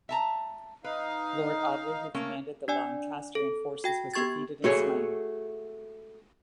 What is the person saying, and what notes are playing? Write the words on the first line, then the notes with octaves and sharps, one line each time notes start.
Lord Audley, who commanded the Lancastrian forces was defeated and slain.
E5 A5 A#5
D#4 B4 F5
A3 A#3 C#4
D4 D5 G#5
A4
F#4 G5 A#6
B3 G4 C#6 G#6 A6
A3 F#4 G#4 C#5